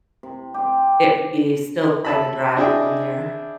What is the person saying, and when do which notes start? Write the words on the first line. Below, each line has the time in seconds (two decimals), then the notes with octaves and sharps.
it would be still quite a drive from there.
0.23 C3
0.54 C4 G4
2.05 E5 A5 B5
2.57 D4 E4 G#4 D#5 E5 G5